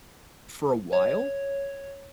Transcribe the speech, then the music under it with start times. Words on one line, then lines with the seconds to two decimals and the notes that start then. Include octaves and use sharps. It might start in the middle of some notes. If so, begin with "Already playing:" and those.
for a while
0.93 C#5